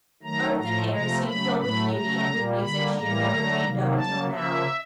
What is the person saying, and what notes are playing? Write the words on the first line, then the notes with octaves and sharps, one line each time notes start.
Earth and air seemed filled with beauty and with music she had never dreamed of until now.
D#3 F#3 A3 A#5
A2 F3 A3 A#5
C3 F3 A3 A#5
C#3 F#3 A3 B5
A2 F#3 A3 B5
C#3 F#3 A3 A#5
A#2 G3 A#3
D3 G3 A#3 B5
A2 E3 G3 A#3 A#5
D3 F#3 A3
C3 D#3 F#3 A#3
C#3 F#3 A#3 A5
C#3 F3 A#3 E5